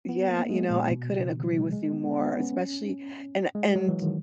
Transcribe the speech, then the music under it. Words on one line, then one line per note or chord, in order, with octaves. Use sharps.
Yeah, you know, I couldn't agree with you more, especially and and
B3
A#3
G#3
A#2
B2
C#3
D#3
F#3
G#3
G#3
B3
B3
B3
C#4
G#3
F#3
E3
D#3